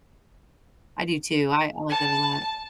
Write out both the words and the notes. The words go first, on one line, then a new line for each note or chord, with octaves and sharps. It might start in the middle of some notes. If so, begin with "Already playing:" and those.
I do too. I I like that a lot.
A5